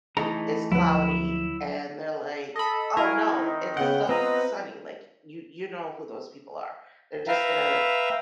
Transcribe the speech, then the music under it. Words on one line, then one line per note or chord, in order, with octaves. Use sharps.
it's cloudy, and they're like, oh no, it's su sunny, like, you you know who those people are, they're just gonna
E3 A3 D#4 G#4 A#5
D2 F3 F#3 E4 B4
A4 D#5 B5
E4 F#4 A#4 F5 G#5
D#3 C4 D#4
C#3 B3 F#5 G5
C4 F4 B4 C5 D#5 A#5
B4 E5 F5 G5 A#5